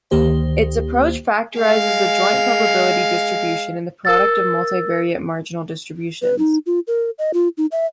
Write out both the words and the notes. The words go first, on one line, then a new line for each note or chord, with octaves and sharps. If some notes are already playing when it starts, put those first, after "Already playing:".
Its approach factorizes the joint probability distribution in the product of multivariate marginal distributions.
D2 D#3 A#3 G4 C5
G#3 F5
A#4 E6 A6
B4
D#4
F4
A#4
D#5
F4
D#4
E5